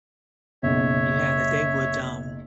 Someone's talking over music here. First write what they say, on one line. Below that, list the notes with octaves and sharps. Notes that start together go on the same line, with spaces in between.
Yeah, that they would, um,
F#1 B1 C#5 E5